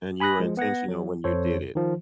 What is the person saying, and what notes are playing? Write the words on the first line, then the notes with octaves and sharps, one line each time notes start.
And you were intentional when you did it.
G#5 B5 D#6 F#6 A#6
F3 G#3
B3 F#5 G#6 A#6
F#3
F2 A4 C5 C#5
D#3 F3